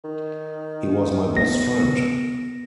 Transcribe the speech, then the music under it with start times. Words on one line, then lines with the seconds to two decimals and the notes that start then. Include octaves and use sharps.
He was my best friend.
0.04 D#3
1.37 B3 A#6